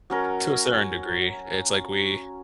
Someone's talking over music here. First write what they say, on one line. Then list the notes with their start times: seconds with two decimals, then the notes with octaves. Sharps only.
To a certain degree, it's like we
0.10 F#3 C#4 A#4